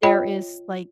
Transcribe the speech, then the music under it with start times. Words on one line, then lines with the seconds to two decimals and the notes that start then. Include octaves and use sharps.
there is, like,
0.03 F4 C#5 D#5 G5 B5